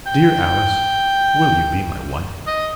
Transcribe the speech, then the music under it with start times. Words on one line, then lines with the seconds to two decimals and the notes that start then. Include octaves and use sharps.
Dear Alice, will you be my wife?
0.06 G5
2.47 D#5